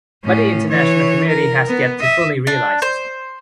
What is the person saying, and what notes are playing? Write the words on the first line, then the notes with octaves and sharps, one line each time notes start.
But the international community has yet to fully realize it.
A2 C#4
E3 C#5
A#4
B3
D#5 E5
D4
C5